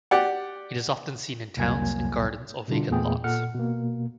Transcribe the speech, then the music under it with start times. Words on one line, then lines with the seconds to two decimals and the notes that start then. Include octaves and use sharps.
It is often seen in towns, in gardens or vacant lots.
0.11 G4 D5 F#5
1.57 C2 F2 F#3 A#3 G#5 G#6
2.68 B2 D3 G3 D4 F4
2.89 E2 A#2 A3 B3 G#4 G5
3.24 A#2 A4 F#5 F6 C#7
3.55 B2 A#3